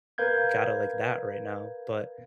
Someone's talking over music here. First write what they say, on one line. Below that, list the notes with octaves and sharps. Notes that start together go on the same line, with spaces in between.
got it, like, that right now." But,
A#4 B4 F5 G6 G#6